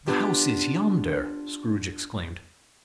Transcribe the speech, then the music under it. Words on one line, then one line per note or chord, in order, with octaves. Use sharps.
"The house is yonder," Scrooge exclaimed.
B3 D4 F4 G4